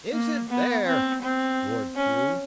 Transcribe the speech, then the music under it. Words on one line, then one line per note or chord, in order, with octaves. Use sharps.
"Is it there?" roared Pew.
A#3
B3
C4
C4
C#4